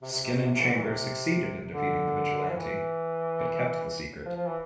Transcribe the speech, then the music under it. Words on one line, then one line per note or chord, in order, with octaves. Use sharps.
Skin and Chamber succeeded in defeating the vigilante, but kept the secret.
C3
C3
C3
B2
C3
C3
E3
D3
E3
C3
D3
F3
E3
F3
F3
E3